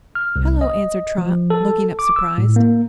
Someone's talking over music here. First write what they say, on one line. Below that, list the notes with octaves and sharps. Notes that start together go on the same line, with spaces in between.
"Hello," answered Trot, looking up surprised.
F6
C2
D#5
F3
A4
D6
E6
A2
A#3